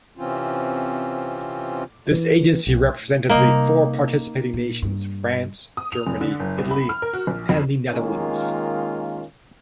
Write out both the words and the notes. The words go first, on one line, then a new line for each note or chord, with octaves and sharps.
This agency represented the four participating nations: France, Germany, Italy, and the Netherlands.
C3 E3 C4 C#4 F4
E3
B1
C3 G3 A#3 D#4
A#2
G2
D#6
F7
F1
D3
F#1
C2
B5
F6
A#4
F#4
A#1
F2
D#3 G#3 A#3 C#4 F4